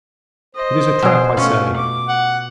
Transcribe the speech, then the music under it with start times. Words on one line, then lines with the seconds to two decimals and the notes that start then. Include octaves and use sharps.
It is a trap, I say.
0.55 C5 D#5
1.02 B2 G#4
1.37 A3 C#4 F4
1.77 D6
2.09 F#5